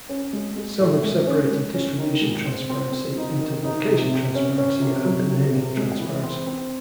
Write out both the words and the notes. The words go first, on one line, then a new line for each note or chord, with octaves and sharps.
Some have separated distribution transparency into location transparency and naming transparency.
C#4
G#3
G#3
A2
G#3
C#4
G#3
C#4
D#3
G#3
C4
C4
C4
D#4
D#3
D#4
C3
C3
C#4
C#4
C3
F#3
C3
C3
G#3
E3
C4
C4